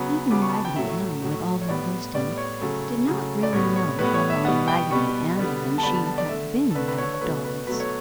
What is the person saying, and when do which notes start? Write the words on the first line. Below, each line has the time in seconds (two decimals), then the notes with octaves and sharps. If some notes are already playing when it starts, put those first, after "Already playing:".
Even Raggedy Ann, with all her wisdom, did not really know how long Raggedy Andy and she had been rag dolls.
Already playing: C#3 F#3 B3
0.30 C#3 F#3 B3 D6
0.42 C#6
0.53 A5
0.65 G5
0.76 A2 F#3 A3 E5
1.22 A2 F#3 A3
1.62 C#5
1.68 A2 G3 B3 D5
2.14 A2 G3 B3 D5
2.37 C#5
2.61 C#3 F#3 A3
3.07 C#3 F#3 A3
3.43 D5
3.53 A2 G3 B3 C#5
3.76 C#5
3.99 A2 G3 B3 B4
4.14 C#5
4.30 E5
4.45 B2 G3 B3 F#5
4.68 G5
4.91 B2 G3 B3 C#6
5.37 D3 G3 B3
5.78 A5
5.83 D3 G3 B3 B5
5.95 A5
6.06 A5
6.18 D5
6.29 D3 A3 E5
6.71 A4
6.75 D3 A3 B4
6.88 B4
6.98 C#5
7.14 C#5
7.21 B2 F#3 A3 B4
7.45 B4
7.67 B2 F#3 A3 B4
7.80 C#5